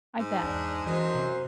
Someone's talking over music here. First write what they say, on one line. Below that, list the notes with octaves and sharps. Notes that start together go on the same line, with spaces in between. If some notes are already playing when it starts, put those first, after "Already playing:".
I bet.
G#2
E2 D4
F#2 E3 F#3 D#4 C5
C3